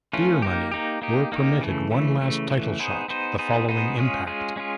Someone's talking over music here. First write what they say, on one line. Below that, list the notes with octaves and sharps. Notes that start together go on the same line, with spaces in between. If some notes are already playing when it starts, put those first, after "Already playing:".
Beer Money were permitted one last title shot the following Impact!
E3 A3 C#4 F4
A#3 D#4 G4
A#3 D#4 G4
A#3 D#4 G4
A#3 D#4 G4
C#3 E3 A3
C#3 E3 A3
C#3 E3 A3
C#3 E3 A3
B3 D#4 G#4 C5
B3 D#4 G#4 C5
B3 D#4 G#4 C5
B3 D#4 G#4 C5
G#3 C#4 F4 G#4
G#3 C#4 F4 G#4
G#3 C#4 F4 G#4